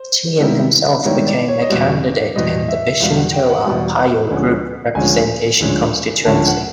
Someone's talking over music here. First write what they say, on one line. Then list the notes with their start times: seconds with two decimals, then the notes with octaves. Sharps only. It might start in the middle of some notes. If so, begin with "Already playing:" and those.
Chiam himself became a candidate in the Bishan-Toa Payoh Group Representation Constituency.
Already playing: C5
0.40 G#2 D#3 G3 B3 E4
1.05 G#2 D#3 G3 B3 E4 C#5
1.27 D5
1.48 C#5
1.62 D#5
1.70 E2 B2 G3 D5
2.36 E2 B2 G3 D#5
2.68 E5
3.00 E2 B2 G3 F5
3.17 F#5
3.32 G5
3.49 F#5
3.66 E2 B2 G3
4.30 D2 D3 F3 G#3 C#4
4.95 D2 D3 F3 G#3 C#4 G#5
5.60 D2 D3 F3 G#3 C#4
6.25 D2 D3 F3 G#3 C#4 A5
6.47 F#5